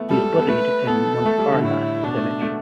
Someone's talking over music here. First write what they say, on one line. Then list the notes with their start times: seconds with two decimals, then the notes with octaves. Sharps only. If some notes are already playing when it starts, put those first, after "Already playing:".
He is buried in Montparnasse Cemetery.
Already playing: A3 B3
0.10 G3 A4
0.22 G3
0.36 B3
0.49 A3 B4
0.87 B3 A4
1.19 B3
1.26 A3
1.38 G3
1.52 D3
1.64 A2 E4
2.03 B2 D4
2.17 A3
2.42 A3